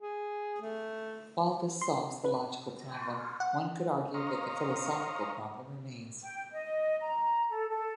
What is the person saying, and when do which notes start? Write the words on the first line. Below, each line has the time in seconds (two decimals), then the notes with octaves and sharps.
While this solves the logical problem, one could argue that the philosophical problem remains.
0.01 G#4
0.62 A3
1.81 C6
2.25 B4
3.40 F#5
4.14 C5 C#5 D#5 F5 A#5
6.22 G5
6.52 D#5
7.01 A#5
7.50 A4
7.69 A4